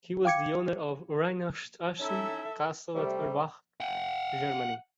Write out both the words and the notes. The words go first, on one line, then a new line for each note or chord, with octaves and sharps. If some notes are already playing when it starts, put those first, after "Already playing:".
He was the owner of Reinhartshausen Castle at Erbach, Germany.
F5 G5 D6 G#6 C#7
C#4 D#4 E4 A4 E5
C3 G3 A3
F#5 G5